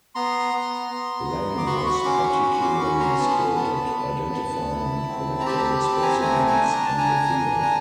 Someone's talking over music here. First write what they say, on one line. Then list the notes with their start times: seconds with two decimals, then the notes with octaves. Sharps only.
Lang was particularly skilled at identifying and collecting specimens in the field.
0.15 B3 A#5 C6
0.54 B3
0.91 B3
1.29 B3
1.58 D6
1.67 F#4 B5 C#6
1.78 C6
1.86 B5 C#6
2.05 C#4 C6 D6
2.23 B5 C#6
2.42 F#4 B5 C#6
2.61 C6 D6
2.80 C#4 B5 C#6
3.00 A#5 C6
3.19 B3 A5 B5
3.30 C6
3.37 A5 B5
3.56 B3 A5 B5
3.75 A5 B5
3.95 B3
4.32 B3
4.70 E4
5.08 C4
5.41 A#5
5.46 G4 A5 B5
5.58 A#5
5.64 A5 B5
5.84 C4 A5 B5
6.02 G#5 A#5
6.21 A3 G#5 A#5
6.47 G#5 A#5
6.59 D4
6.73 A#5
6.85 A5
6.97 D4 G#5 A#5
7.36 D4
7.63 G#5